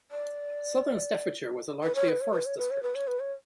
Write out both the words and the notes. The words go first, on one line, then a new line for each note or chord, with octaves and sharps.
Southern Staffordshire was largely a forest-district.
D5
B4
C#5
B4
C#5
B4
C#5
B4
C#5
B4
C#5
B4
C#5